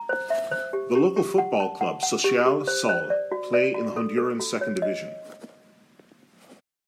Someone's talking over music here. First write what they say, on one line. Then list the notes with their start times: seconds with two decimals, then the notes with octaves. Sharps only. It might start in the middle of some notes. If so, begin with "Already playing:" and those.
The local football club, Social Sol, play in the Honduran second division.
Already playing: A#5
0.09 C5
0.30 E5
0.51 C5
0.73 G4
0.95 G4
1.16 G4
1.38 F#5
1.60 A5
1.81 F#5
2.03 F#5
2.24 G4
2.46 G4
2.67 C5
2.89 C5
3.10 D5
3.32 F#4
3.54 D5
3.74 F#4
3.96 A4
4.18 A4
4.40 F#4
4.61 C#5
4.82 D#5